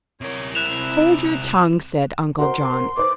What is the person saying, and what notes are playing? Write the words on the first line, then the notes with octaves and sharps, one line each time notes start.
"Hold your tongue," said Uncle John.
C3 A#4 C#5
C4 E4 F#6 E7 F7
F#4 A#4 C5 C6
B4 C5 D6